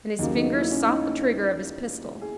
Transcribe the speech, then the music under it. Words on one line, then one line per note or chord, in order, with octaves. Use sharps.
And his finger sought the trigger of his pistol.
D#2 C#3 F#3 A#3 D#4
D#4
E4
C#4
D#4
G#4